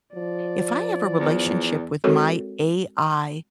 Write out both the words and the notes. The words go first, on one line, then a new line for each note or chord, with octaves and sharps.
if I have a relationship with my AI
F3 D5
E2
G#3 C4 F#4 A4 A#4 C#5